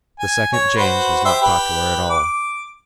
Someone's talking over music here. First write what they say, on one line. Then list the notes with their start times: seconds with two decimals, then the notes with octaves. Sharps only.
The second James was not popular at all.
0.20 G#5
0.53 C#5
0.77 F#4 B4 C5
1.25 G4 C5 E5
1.42 G4 B4
2.10 D6